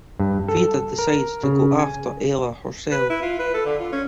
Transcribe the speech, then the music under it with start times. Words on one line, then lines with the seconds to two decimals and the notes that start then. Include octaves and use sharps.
Frieda decides to go after Ella herself.
0.20 G2
0.49 A4
0.99 A#4
1.44 C#3
1.79 G#5
2.92 B4
3.10 E4
3.22 F4
3.40 B4
3.54 A4
3.66 D3
3.80 F4
3.92 C#4